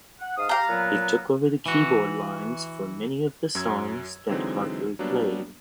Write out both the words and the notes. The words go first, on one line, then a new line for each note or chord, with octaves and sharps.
He took over keyboard lines for many of the songs that Hartley played.
F#5
G#2 F5 D#6
G4 F5 A#5
A#2 F#3 B3
E3 F#4
F#2 F#3 E6 G#6
D3 E3 F#3 G#3 C4 D#4
F#3 G3 A#3 B3 D4